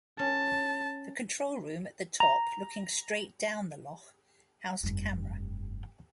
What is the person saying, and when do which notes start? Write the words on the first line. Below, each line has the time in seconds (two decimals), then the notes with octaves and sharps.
The control room at the top looking straight down the loch housed a camera.
0.19 C#4 A5
2.20 A#5
4.83 F1 G2